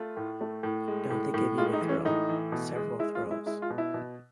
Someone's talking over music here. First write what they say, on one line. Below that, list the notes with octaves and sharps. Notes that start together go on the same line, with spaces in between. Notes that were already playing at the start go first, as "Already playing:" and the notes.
Don’t they give you a thrill — several thrills?
Already playing: A3 F4
A2
A3
A2
G#3
A2
A2
G#3 F4
D#4
E3
C#4
A2 D#4
E3
B2
G#3
G#3 E4
F4
G#3
E4
G#3 E4
F4
B2
E4
B2